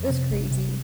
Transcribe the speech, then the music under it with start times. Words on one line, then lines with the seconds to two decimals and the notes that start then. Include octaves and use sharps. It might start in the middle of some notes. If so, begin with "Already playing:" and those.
it was crazy.
Already playing: F2
0.10 C3
0.31 G1
0.51 C3